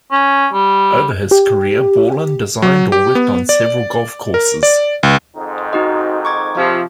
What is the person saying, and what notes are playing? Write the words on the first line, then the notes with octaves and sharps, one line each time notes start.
Over his career, Borland designed or worked on several golf courses.
C#4
G3
G4
F#3
G4
B3
D5
A#4
D5
C#2
F2 G#2 D#3
D#4 F#4 D#5
C#6 D6 G#6
C3 F3